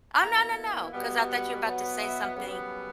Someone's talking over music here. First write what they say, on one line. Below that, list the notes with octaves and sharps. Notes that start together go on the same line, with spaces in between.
Oh no, no, no, 'cause I thought you're about to say something,
B2 A#3 E4 A#5
B2 G3 B3
F#5
B2 F#3 B3
E5
F#2 C#3 G3 B3